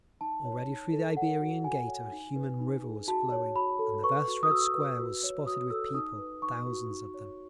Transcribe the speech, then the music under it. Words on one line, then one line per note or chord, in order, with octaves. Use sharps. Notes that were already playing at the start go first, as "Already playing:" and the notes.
Already through the Iberian Gate a human river was flowing, and the vast Red Square was spotted with people, thousands of them.
D#4 A5
C#5
D#4
A4
C#5 F#5
F#4
F#4 G#5
C#5
D#4
B4
D#4
G#4
F#4 A5
C#5
F#4 B5
A4
B4 C#6
F#4
D#6
F#4 E6
B4
F#4
C#5
F#4 D#6
A4 E6
D#4 D#6
B4
D#4 C#6
F#4
D#4
C#5